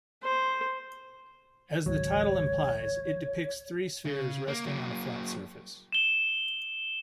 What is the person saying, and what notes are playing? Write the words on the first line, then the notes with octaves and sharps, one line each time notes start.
As the title implies, it depicts three spheres resting on a flat surface.
C5
G#1 C#2 F#3 C#5
C#3
A#3
F#3 A#3
E7 G7